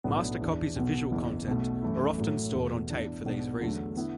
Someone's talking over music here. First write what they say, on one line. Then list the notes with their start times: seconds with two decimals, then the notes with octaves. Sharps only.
Master copies of visual content are often stored on tape for these reasons.
0.04 B1 A2 F#3 B3 D4
0.41 E2 E3 D4
0.76 B1 B2 B3
1.11 F#1 E2 E3
1.47 B1 B2 A3
1.82 F#2 E3 A3 E4
2.18 A2 F#3 A3
2.54 E1 E2 B2 A3
2.90 E2 E3 D4
3.25 B1 B2 B3 D4
3.60 E2 D3 F#3 A3
3.97 D3 B3 E4